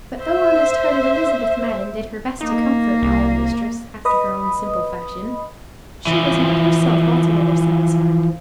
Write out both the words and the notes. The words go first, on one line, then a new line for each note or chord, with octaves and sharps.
But though honest-hearted Elizabeth Madden did her best to comfort her young mistress after her own simple fashion, she was not herself altogether satisfied.
C5 E5
A#3 D#4
C2
B4 D#5 B5 D#6
E3 F3